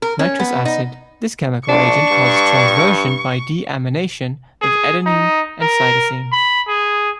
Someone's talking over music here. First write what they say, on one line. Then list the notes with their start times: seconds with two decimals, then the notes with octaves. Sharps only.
Nitrous Acid - This chemical agent causes transversion by de-amination of adenine and cytosine.
0.02 A#4
0.19 C#4
0.39 B3
0.65 D#4
1.69 A#1 D4 C#6
2.11 G2
4.62 G#4
5.06 D#4
5.61 A#4
6.32 B5
6.68 G#4